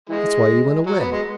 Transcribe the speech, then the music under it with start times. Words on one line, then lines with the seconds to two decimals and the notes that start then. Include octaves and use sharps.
That's why he went away.
0.09 E3 G#3
0.86 F#3
1.00 B3
1.12 G#3